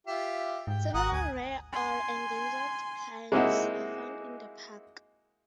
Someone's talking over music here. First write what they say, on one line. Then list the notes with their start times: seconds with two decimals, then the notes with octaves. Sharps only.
Several rare or endangered plants are found in the park.
0.07 F4 G4 E5
0.67 G#2 G5
0.94 G#1 A#4 F#5 D#6
1.12 D2 G#5
1.73 G#5 C6
3.32 G#3 A#3 C4 D#4 E4 F#4